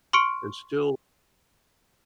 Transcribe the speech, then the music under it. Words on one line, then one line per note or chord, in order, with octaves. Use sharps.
and still
C6 C#6 F6 C#7 D7